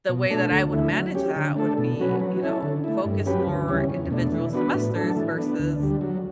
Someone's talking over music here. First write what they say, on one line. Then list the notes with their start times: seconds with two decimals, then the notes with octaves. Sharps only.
The way that I would manage that would be, you know, focus more individual semesters versus
0.09 B2
0.30 A3 D4 A4
0.51 D2
0.72 D3 A3 E4
0.93 F#3
1.15 C#4 G4
1.36 D3
1.57 A3 D4 A4
1.78 B2
2.00 F#3 C#4 F#4 B4
2.20 F#3
2.41 C#4 E4 A4
2.63 D3
2.84 A3 E4
3.05 G2
3.26 F#3 C#4 G4 B4
3.47 D2
3.68 C#3 E3 G3 C#4
3.89 E2
4.11 B2 A3 D4
4.32 E3
4.53 B3 D4 F#4 B4
4.74 A2
4.95 F#3 A3 D4 A4
5.16 E3
5.38 B3 D4
5.59 D2
5.80 D3 G3
6.01 F#3